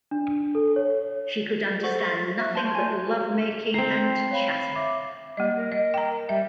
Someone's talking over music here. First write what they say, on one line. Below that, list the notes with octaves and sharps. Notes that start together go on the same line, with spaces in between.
She could understand nothing but love-making and chatter.
D4
A4
C#5
A4 C5 F#5 C#6
C#6
A6 B6
E5 C#6 F#6
A5 C6 G6
G#5 G#6
C4 A#5 C7
C#5 F5 B5
E5 D6
G3 A#3 D#5
A#4
D#5
G5 A#5
G3 E5